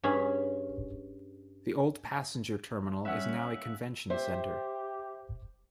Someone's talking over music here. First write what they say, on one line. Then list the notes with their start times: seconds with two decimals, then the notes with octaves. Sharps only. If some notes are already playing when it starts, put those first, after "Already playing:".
The old passenger terminal is now a convention centre.
0.03 G2 C#4 G#4 B5
3.05 G3 C#4 E5 F#5 E6 F#6 B6
3.38 F5
4.10 G4 C5 E5